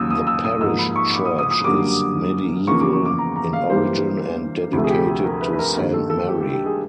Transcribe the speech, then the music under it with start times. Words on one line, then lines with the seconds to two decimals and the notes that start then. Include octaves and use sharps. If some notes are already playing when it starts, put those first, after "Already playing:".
The parish church is medieval in origin and dedicated to Saint Mary.
Already playing: D#2 C#3 F#3 D#6 E6
0.10 D#6
0.27 E6
0.44 D#6
0.61 G#2 F3 A#3 E6
0.78 B5
0.96 C#6
1.13 D6
1.25 D#6
1.39 D#6
1.51 D#6
1.64 F#2 D3 G3 A#3 D6
2.67 E2 C#3 F3 A#3 C#6
2.80 D6
2.93 C#6
3.05 D6
3.18 A#5
3.36 A#5
3.53 F5
3.70 G2 E3 G3 A#3 C5
4.73 D2 C3 F3 A3
4.84 G#4
4.90 G4
5.25 A#4
5.41 B4
5.53 B4
5.59 A#4
5.76 G2 D#3 G3 A#3
5.93 A4
6.10 A4
6.28 G4
6.41 G4
6.53 G4
6.66 G#4